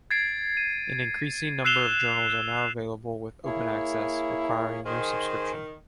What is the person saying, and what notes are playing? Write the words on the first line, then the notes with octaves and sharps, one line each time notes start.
An increasing number of journals are now available with open access, requiring no subscription.
G#6 A6 C7 D7
D#7
E6 F#6 C7 E7 F7 G7
A#3 E4 G#4 C#5
D#3 G#4 C5 G#5